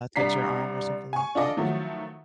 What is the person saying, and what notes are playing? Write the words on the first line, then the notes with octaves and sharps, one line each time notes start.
touch your arm or something like that,
C2 D4 A#5 B6 C7
G#5 C#6
D4 F4 A4 D#5 D6
D#3 F3 F#3 A3 E4